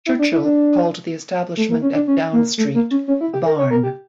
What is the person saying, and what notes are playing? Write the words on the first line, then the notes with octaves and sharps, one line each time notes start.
Churchill called the establishment at Down Street "The Barn".
E4
D4
E4
D4
A3
A#3
C#4
D4
C#4
A#3
A3
A#3
C#4
C#4
E4
G4
A#4
C#5
A#4
G4